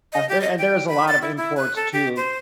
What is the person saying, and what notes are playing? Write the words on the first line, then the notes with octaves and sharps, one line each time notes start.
there and there's a lot of imports too.
D#5
G4
D#5
G5
B5
A6
E4
E4
F#6
A4
G4
C5